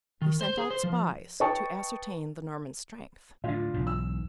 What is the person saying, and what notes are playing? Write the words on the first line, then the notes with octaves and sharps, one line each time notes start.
He sent out spies to ascertain the Norman strength.
D#3
C5
G#4
C5
F3
B4 D#5 G5 A5 C#6
A2 D3 D4 F4
B1 E2 G#2
E6